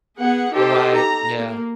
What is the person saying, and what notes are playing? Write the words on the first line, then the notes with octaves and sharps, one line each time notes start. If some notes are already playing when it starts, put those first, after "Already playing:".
Right, yeah.
B3 G#4 F#5
D#4 G4 A4 C5
A#5
A#3